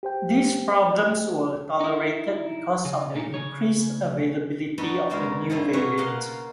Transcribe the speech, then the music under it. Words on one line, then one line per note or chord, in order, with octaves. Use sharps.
These problems were tolerated because of the increased availability of the new variant.
G4 C5 G5
D#4 E4
C#3
A#2 D#4
C#3 C#5
B3 D4 D#4 F#4 A4 B4
F#2 C#3 G#3 C#4 A#4
D3 F3 G3 E4
C#4 D#4 F#4 B4 C#5 E5
C#3 A#3 D#5 F5 F#5 C6